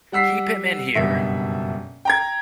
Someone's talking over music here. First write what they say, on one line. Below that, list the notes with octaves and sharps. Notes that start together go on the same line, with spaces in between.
Keep him in here!
G3 F#5 E6 B6 C7
F#1 G2 B2 E5
G5 A#5 G#6